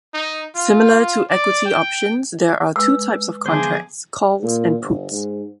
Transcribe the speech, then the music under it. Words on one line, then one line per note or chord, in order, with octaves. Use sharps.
Similar to equity options, there are two types of contracts: calls and puts.
D#4
F4
D5
G5
G#3 B4 E6
D3 E3 F3 B3 G#4 C5 D6
A#2
G1
G#2